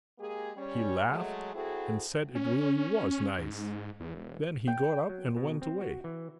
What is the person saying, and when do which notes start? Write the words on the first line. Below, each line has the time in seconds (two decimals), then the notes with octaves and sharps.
He laughed and said it really was nice. Then he got up and went away.
0.18 G#3 A#3 G4 G#4
0.56 G3 C#4 C#5
1.09 F#3 G#3 A3
1.55 C4 E4 F#4 G#4 A4
2.35 C#4
3.38 G#2
4.00 E2
4.15 E1
4.67 G5
5.09 F#3
5.36 B2
5.62 C4
5.81 F#4
6.04 E3